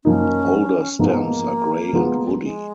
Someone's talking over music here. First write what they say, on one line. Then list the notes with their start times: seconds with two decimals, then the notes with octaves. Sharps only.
Older stems are grey and woody.
0.05 F#2 F3 A#3 C#4 D#4
0.99 G#2 F3 A#3 B3 D#4
1.06 G#3
1.14 A#3
1.93 F3 G#3 B3 F4 G#4
2.41 G#3